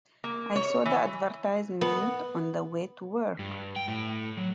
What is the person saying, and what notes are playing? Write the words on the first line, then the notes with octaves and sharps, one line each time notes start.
I saw the advertisement on the way to work.
A#3
C#5
E3
B3
G2
G5
A2
F#3